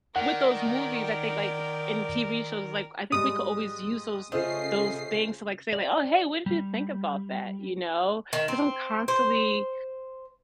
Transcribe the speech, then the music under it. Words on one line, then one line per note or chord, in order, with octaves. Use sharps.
with those movies, I think like, in TV shows, like, I think we could always use those those things to like say like, "Oh, hey, what did you think about that?" You know, cause I'm constantly
D#3 A#4 D5 F#5 G5
G#2 G3 D#6
C#3 A3 F4 G#4 C5 D#5 C7
D5
G3
D#3
C4
C5